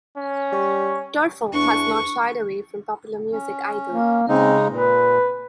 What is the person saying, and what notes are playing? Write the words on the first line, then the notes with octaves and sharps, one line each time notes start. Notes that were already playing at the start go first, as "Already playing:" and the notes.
Terfel has not shied away from popular music either.
C#4
G3 C#6
E2 D4 C#6
C#4
A#3
C#3 G#3 C4 D#4
A#2 B4